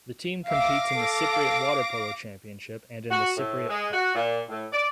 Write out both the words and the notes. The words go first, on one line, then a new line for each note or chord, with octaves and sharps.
The team competes in the Cypriot Water polo Championship and in the Cypriot Cup.
E5 F5 D6 A#6
A4
F#4
A2
G#3
F#4
A#2
A2
D5